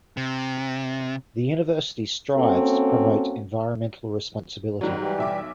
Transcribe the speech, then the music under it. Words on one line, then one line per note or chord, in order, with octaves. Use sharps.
The university strives to promote environmental responsibility.
C3
A#3 C4 C#4 F#4 A4
G#2 D#3 F#3 G3
E3 G3 G4
B1 E5 D6